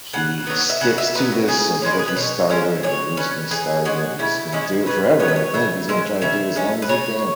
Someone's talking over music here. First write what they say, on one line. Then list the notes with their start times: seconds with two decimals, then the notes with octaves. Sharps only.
he sticks to this of what he started and the reason he started it, and he's gonna do it forever I think he's gonna try to do it as long as he can.
0.13 C#3 F#5
0.47 F#3 B3
0.70 E5
0.81 C#3 F#5
0.98 E5
1.15 F#3 B3 B4
1.32 F#4
1.48 C#3 G#4
1.82 E3 G#3 C#4 C#5
1.91 B4
1.99 G#4
2.08 B4
2.16 B2 C#5
2.49 G#3 C#4 E5
2.83 E3 C#5
3.17 C#4 B4
3.51 E3 G#4
3.85 G#3 C#4 F#4
4.19 C#3 E4
4.52 G#3 C#4 E4
4.86 C#3 B4
5.20 B3 C#5
5.23 F#3
5.28 B4
5.36 C#5
5.54 C#3 E5
5.88 G#3 C#4 E5
6.22 C#3 E5
6.56 G#3 C#4
6.82 B4
6.89 C#3 C#5